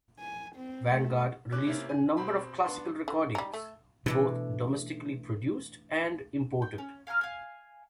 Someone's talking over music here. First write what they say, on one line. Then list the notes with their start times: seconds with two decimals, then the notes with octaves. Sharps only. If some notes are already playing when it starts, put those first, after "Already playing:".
Vanguard released a number of classical recordings, both domestically-produced and imported.
0.19 G#5
0.56 C4
0.91 A3
1.52 C#4 D6 F#6
1.66 C3 A#3 C#4 E4
1.89 G#5
2.17 B2 C4 B5
2.65 B3 D4 C6
3.08 D3
3.35 G3 D#4
3.54 A3
4.06 B2 E3 A3 D4
6.62 G5
6.78 C#4
7.07 F5 G#5 A#5 F6
7.21 F5 G#5